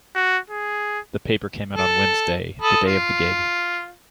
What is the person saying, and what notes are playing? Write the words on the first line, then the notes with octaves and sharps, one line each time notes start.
The paper came out on Wednesday, the day of the gig.
F#4
G#4
A4
A4 B5 D#6
F4